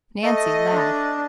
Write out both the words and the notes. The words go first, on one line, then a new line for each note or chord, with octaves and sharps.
Nancy laughed.
A3 D#5
D4